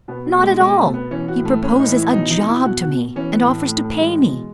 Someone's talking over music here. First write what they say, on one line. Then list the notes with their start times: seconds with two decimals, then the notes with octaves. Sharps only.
Not at all! He proposes a job to me, and offers to pay me.
0.08 B2 B3
0.26 F#3
0.34 B2 A3
0.43 G#3
0.60 B2 G#3
0.76 A3
0.85 B2
0.94 B3
1.11 E3 C#4
1.28 F#4
1.37 A2
1.45 A3
1.63 A2 C#4
1.79 D#4
1.88 E3
1.96 E4
2.13 B2 D#4
2.30 D#4
2.39 B2
2.48 E4
2.65 B2 F#4
2.81 F#4
2.90 B2
3.16 E3 C#4
3.33 B3
3.41 A2
3.50 A3
3.67 A2 A3
3.84 A3
3.92 E3
4.01 G#3
4.19 B2